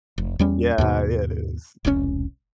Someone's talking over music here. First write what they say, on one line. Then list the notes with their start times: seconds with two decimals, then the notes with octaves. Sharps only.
Yeah, yeah, it is.
0.18 F1
0.39 E2 G3 C#4
0.78 D#2 G#2 B2
1.85 E1 C2 A#2 C#4